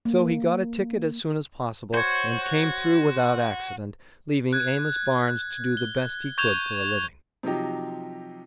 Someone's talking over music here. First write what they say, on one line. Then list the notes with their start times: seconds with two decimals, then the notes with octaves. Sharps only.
So he got a ticket as soon as possible, and came through without accident, leaving Amos Barnes to do the best he could for a living.
0.05 A#3
1.94 F#4 C5 C#5
4.53 F#6 G#6
5.77 G7
6.38 C#6 G6 G#6 E7 F7 G7
7.43 C3 F3 F#3 D#4 G4